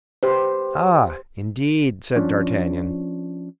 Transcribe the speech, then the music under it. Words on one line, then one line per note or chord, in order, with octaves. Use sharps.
"Ah, indeed," said d'Artagnan.
G4 B4 C5
F3 C#4 D4